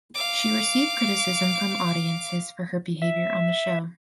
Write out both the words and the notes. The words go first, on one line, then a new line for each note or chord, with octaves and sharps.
She received criticism from audiences for her behaviour on the show.
F5 D6
E5